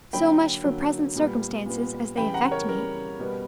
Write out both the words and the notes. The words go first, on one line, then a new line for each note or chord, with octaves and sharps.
So much for present circumstances as they affect me.
D3 F#3 A#3 G5 B5
D3 F#3 A#3
A#2 G3 B3
A#2 G3 B3
C#3 E3 G3 G5 B5
F#5 A#5
A#4 C#5
C#3 E3 G3 A#4
B2 G3 B3